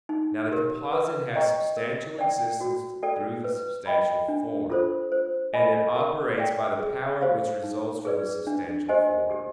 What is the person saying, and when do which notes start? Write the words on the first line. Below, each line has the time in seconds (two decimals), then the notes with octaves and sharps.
Now the composite has substantial existence through the substantial form; and it operates by the power which results from the substantial form.
0.09 D#4
0.52 G4 A#4
0.93 B4
1.35 D#5 G5 A#5 C#6
1.77 A#4
2.19 D5 G5
2.61 F#4
3.03 A4 D5 G5
3.44 B4
3.86 D#5 G5 B5
4.28 D4
4.70 F4 A4 C5
5.12 C5
5.54 D#5 G#5 B5
5.96 A#4
6.38 D5 G5
6.80 G#4
7.21 C5 F5
7.63 D#4
8.05 G#4 B4 D5
8.47 D4
8.89 G4 C5 D#5 G#5
9.30 G4